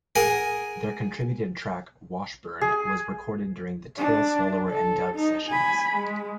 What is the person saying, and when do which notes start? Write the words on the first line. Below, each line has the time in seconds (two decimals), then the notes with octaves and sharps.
Their contributed track "Washburn" was recorded during the "Tail Swallower and Dove" sessions.
0.15 G#4 A#4 F#5 G#5
2.61 G#4
3.98 D4
4.69 A4
5.16 D#4
5.49 G#5 B5
5.96 G#3